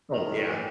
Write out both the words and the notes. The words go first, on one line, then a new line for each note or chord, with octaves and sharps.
Oh, yeah.
D#3
A2
E3